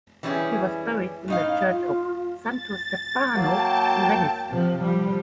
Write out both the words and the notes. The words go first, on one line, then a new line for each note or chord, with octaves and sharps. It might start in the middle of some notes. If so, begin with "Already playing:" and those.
He was buried in the church of Santo Stefano in Venice.
E3 G3 C#4 D#4 E4 G#4
A2 D#4 F5
F4
A6
F#3 A#3 G5 A5
C3 F3
F3 G3